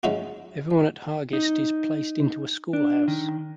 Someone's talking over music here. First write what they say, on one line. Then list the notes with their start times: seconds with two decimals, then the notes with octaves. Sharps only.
Everyone at Hargest is placed into a school house.
0.03 C#3 F#3 G#3 D#4 E4 F#4
1.33 D#4
2.73 D4
3.08 D#3